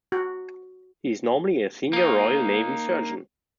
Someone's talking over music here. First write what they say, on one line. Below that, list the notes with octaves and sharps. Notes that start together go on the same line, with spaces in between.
He is normally a senior Royal Navy surgeon.
F#4
A#3 D#4